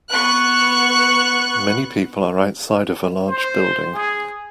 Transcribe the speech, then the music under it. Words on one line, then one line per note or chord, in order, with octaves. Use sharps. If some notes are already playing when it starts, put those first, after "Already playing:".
Many people are outside of a large building.
B3 C#6 F#6
C5
G#4